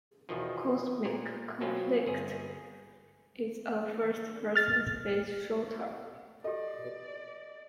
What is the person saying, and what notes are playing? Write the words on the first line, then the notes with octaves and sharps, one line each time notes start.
"Cosmic Conflict" is a first person space shooter.
E2 B2 D#3 F3
A#2
B2 F#3 C4 C#4 F4
G1 G#4
F6 A6
G4 A4 D5 D#5